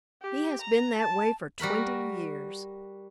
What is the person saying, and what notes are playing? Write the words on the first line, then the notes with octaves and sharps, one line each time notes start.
He has been that way for twenty years.
G4
A#5
A5
G3 F#4 A#4 B5